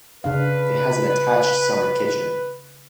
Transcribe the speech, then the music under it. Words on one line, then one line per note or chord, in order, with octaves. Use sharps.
It has an attached summer kitchen.
C#3 D4 B4 F5